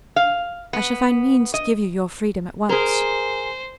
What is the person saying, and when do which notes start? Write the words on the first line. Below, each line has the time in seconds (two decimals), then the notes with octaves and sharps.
"I shall find means to give you your freedom at once."
0.16 F5
0.73 B3
1.54 D#5
2.69 G#4 A#4 C5